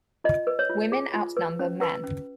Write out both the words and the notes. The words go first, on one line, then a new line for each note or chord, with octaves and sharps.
Women outnumber men.
F4 D#5
B4
C#5
F4
G#4
F4
B4
C#4
B4
C#4